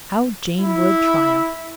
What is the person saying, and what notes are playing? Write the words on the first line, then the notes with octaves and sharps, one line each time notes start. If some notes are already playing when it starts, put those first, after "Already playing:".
How Jane would triumph!
E4